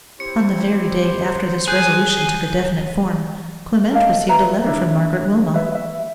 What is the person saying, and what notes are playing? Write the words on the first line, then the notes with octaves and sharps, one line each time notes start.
On the very day after this resolution took a definite form, Clement received a letter from Margaret Wilmot.
C4 E4 G4 C5 C#7
G#4 G#5 F#6 G6 D#7
A4 A#4 D#5 F5
B4 E5 A#5
D4 E4 E5
B4 E5
E5